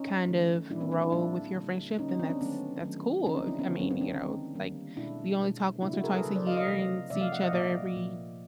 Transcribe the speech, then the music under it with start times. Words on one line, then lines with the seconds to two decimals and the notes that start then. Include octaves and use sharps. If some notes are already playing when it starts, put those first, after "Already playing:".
kind of roll with your friendship, then that's that's cool. If, I mean, you know, like, if you only talk once or twice a year and see each other every
Already playing: C#4 D#4
0.27 D#3 F#3 A3
0.70 A#2 G3 A#3 D4 E4
0.81 A#3 C4
0.92 D4 E4
1.02 D4 E4
1.12 A#2 G3 A#3 D4 E4
1.55 D3 G3 A#3
1.98 D3 G3 A#3 C#4 D#4
2.09 C#4 D#4
2.19 C4 D4
2.30 C4 D4
2.41 D#3 F#3 A3 B3 C#4
2.84 D#3 F#3 A3
3.26 D3 F3 A#3 C#4 D#4
3.37 C4 D4
3.48 D4 E4
3.58 B3 C#4
3.69 D3 F3 A#3
3.80 A#3 C4
3.91 C4 D4
4.01 C#4 D#4
4.12 D#3 G3 A#3
4.55 D#3 G3 A#3
4.97 B2 G#3 D4 E4
5.39 B2 G#3
5.82 C#3 F#3 A#3 D4 E4
5.93 E4 F#4
6.04 G#4 A#4
6.14 A4 B4
6.25 C#3 F#3 A#3
6.36 C5 D5
6.47 D#5 F5
6.57 D#5 F5
6.68 C3 F3 A3
7.10 C3 F3 A3 D5 E5
7.21 D#5 F5
7.32 E5 F#5
7.43 D#5 F5
7.53 A#2 F3 A#3 D5 E5
7.96 A#2 F3 A#3